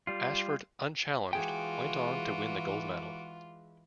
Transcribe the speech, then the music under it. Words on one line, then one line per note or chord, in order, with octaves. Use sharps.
Ashford, unchallenged, went on to win the gold medal.
G3 F4
E3 G#3 F4 F#4 G#4 G5 D6